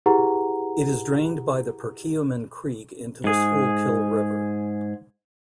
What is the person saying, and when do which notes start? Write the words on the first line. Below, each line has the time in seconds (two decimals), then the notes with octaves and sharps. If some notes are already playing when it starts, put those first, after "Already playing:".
It is drained by the Perkiomen Creek into the Schuylkill River.
0.06 E4 G4 G#4 B4 F#5 A#5
3.24 G#2 G#4